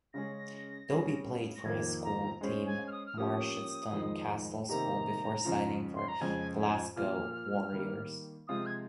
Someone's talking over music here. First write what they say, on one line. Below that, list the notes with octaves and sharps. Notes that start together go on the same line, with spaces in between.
Dobie played for his school team Merchiston Castle School before signing for Glasgow Warriors.
C#3 G#3 C#4 G#4 A#6
G3 C#4 G#4
A#6
F2 D#3 A#3 G#6
A#5
G#3 C#4 G#4 C5
G#5
F6
D#6
F6
F3 A#3 C#4 G4 D#6
F2 D#3 G#3 D#4
C3 D#3 A#3 D#4 G4 A#5
F2 C#3 F3
C6
A#5
F2 C#3 F3 G#3 G#5
G#5
A#2 F3 A#3 F4 F6
D#3 G3 A#3
C3 F3 G#3 C4 F4 D#6
G#6